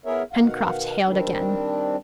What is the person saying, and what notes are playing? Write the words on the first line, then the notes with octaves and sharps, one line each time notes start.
Pencroft hailed again.
B3 E4 G#4 A#4 C#5 E5
B2 D#3 F5 F#5
D#3 G3 C4 D4